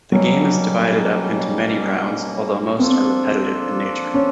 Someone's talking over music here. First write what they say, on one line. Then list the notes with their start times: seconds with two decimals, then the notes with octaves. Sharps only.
The game is divided up into many rounds, although most are repetitive in nature.
0.12 B2 F#3 G3 A#3 C#4
2.79 F3 A#3 C4 D4 F4 A4
4.14 C#4